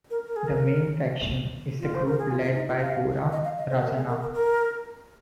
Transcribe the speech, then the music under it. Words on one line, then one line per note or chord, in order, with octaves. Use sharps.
The main faction is the group led by Koora Rajanna.
A#4
A#4
G#4
A#4
F4
C5
A#4
G#4
F4
F4
D#4
F4
F5
D#5
F5
D#5
C5
A#4
G#4
A#4
A#4
A#4